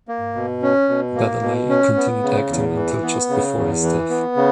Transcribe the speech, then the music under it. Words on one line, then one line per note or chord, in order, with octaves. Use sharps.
Baddeley continued acting until just before his death.
A#3
B2
C#4
B2
A#3
B2
C#4
B3
C#3
E2
E3
B3
C#3
E2
E3
B3
C#3